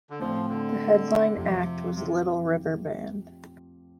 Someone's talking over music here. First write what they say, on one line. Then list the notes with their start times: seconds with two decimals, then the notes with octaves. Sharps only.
The headline act was Little River Band.
0.10 D3
0.19 A2 F3 A3 C4
0.49 D3
1.36 F2 C3 F3 C4 G4
1.95 C3